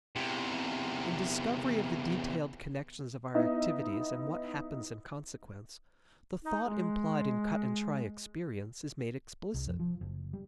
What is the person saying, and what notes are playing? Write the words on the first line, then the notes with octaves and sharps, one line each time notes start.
In discovery of the detailed connections of our activities and what happens in consequence, the thought implied in cut and try experience is made explicit.
E2 C3
B3 D#4 E4 D#5 E5
D#4
G#3
C2
F2
F3
F#1
G3